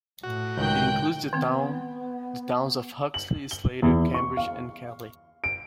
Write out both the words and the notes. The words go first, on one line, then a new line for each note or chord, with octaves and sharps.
It includes the towns of Huxley, Slater, Cambridge and Kelley.
A2 F#4
C#2 D#3 G5 F#6 G6
D#3 B3 C4
F#7
G7
E2
C#6
F5
D7